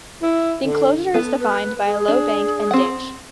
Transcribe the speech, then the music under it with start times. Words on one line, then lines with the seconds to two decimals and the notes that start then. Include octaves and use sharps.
The enclosure is defined by a low bank and ditch.
0.21 E4
0.63 D3
1.14 B3 A4
1.40 B4
1.86 G#4
2.08 D4
2.71 C4 F#5